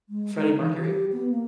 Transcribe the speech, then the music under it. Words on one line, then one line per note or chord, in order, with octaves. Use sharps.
Freddie Mercury?
G#3
D#4
E3
G4
B3
A#3